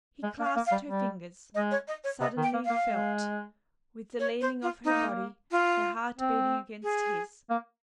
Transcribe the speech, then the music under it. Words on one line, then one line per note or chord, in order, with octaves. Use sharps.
He clasped her fingers--suddenly felt, with the leaning of her body, her heart beating against his.
G#3
A#3
F5
A#3
F5
G3
G3
G#3 D#5
C#5
D#5
C#5
C3 D#5
D#3
G5
A#3
A#3 F5
G#3
C#5
C5
F4
A#3 D#4
F4
C4
G#4
A#3